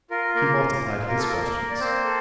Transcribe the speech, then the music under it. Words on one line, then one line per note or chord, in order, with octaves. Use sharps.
He multiplied his questions.
F4 A#4
A#3 A#4
F4
F4
A#3 A#4
A4
A#3 A#4
A#3
D5
A#3 C4 C5
A4